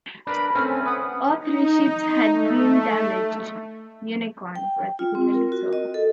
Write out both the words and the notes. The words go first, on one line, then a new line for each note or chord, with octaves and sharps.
All three ships had been damaged, "Unicorn" particularly so.
D4 A#4 B4 B5
A3 C4 C#4 F6
G#5
B4 F#5 D#6
D#4
A3
G5
F4
C4
A#4
F#4
D#5
A4